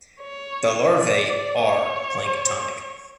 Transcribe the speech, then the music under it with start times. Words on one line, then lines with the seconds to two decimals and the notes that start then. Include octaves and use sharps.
The larvae are planktonic.
0.21 C#5
0.91 D5
1.60 C#5